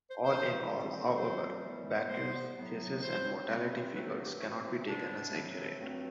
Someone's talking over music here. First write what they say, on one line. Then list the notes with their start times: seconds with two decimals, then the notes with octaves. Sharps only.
All in all, however, Bacque's thesis and mortality figures cannot be taken as accurate.
0.08 C5
0.24 E2 C3 E3 B3 C5
0.70 A2 G3 C4
1.16 F#2 D3 F#3 A3 C4 C5
1.62 F#2 E3 G3 B3
2.09 C3 G3 B3 C5
2.55 A2 F#3 B3
3.02 A2 F#3 C4 C5
3.47 C3 G3 C4
3.93 G2 F#3 A3 C4 B4
4.10 A4
4.25 G4
4.40 C3 E3 A3 C4 F#4
4.56 C5
4.71 E4
4.87 E2 C3 G3 B3 D4
5.33 A2 F#3 C4
5.79 G2 F#3 A3 C4